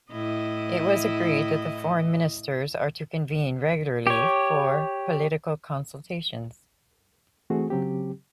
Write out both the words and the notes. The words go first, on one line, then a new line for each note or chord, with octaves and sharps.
It was agreed that the Foreign Ministers are to convene regularly for political consultations.
A2 E4 D#5
G4 C#5
E3 A3 C4 F#4 G#4
C#3 F#3 C4 G4